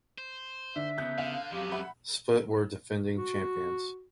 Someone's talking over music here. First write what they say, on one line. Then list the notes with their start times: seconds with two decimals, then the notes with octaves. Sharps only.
Split were defending champions.
0.18 C5
0.76 D3 E5
0.98 C#3 B3 F#6 G6
1.18 D3 F5
1.52 F2 F#3 G#3 B3 G4
1.72 E5 F#5 B5
3.16 F#4